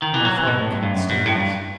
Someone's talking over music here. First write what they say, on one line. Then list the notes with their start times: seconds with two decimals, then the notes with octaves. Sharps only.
And my father cannot stand this.
0.02 D#3
0.14 E3
0.25 F#3
0.36 E3
0.47 B2
0.60 A2
0.71 G2
0.83 G2
0.94 F#2
1.09 G2
1.26 A2
1.35 F#2
1.40 G2